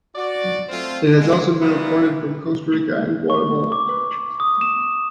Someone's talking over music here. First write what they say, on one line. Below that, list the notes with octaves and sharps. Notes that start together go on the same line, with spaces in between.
It has also been reported from Costa Rica and Guatemala.
F#4 D5
A3 C4 F4
D3 G#3
E3 G3 A#3 B3 E4 F4
C#6
D6
D#6
E7